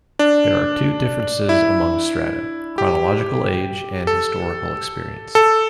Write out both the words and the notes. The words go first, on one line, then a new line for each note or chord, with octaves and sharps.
There are two differences among strata: chronological age and historical experience.
D4
E4
G4
A4
A4